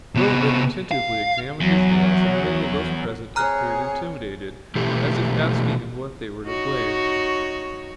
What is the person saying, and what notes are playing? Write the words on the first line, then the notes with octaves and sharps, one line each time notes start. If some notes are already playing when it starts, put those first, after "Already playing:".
Bilibin attentively examined his nails, and many of those present appeared intimidated, as if asking in what they were to blame.
C3 B3
F5
E2 F#3
C4 G#4 C#5 A#5 F6 F#6
B2 E3 A3 G4
D#4 F#4 C#5